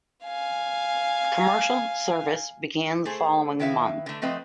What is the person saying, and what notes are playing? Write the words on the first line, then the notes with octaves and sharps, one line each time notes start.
Commercial service began the following month.
F5 G#5
A3 G#4 C5
D#3 E4 B4 E5 F5
D3 A3
F3 A3 C4 B4 D#5